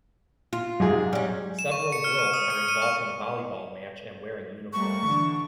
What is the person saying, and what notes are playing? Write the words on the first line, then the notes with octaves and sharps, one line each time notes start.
Several girls are involved in a volleyball match and wearing uniforms.
F4
G#2 C3 F#3 G#4
G3 C#4
E7
C#6
C#7
F6
D#7
D#6
C#7
D#7
C#6
G3 A3 A#3 C#6
D3 E3 D4